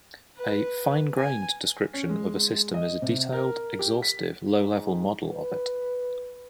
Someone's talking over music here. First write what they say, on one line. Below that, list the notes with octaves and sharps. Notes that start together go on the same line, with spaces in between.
A "fine-grained" description of a system is a detailed, exhaustive, low-level model of it.
B4
G#5
C#4
G#3
D#5
C3
A#4
G4
B6
G#2
B4